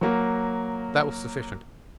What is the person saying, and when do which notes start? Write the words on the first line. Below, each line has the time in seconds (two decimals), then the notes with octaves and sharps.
That was sufficient.
0.01 F#3 A#3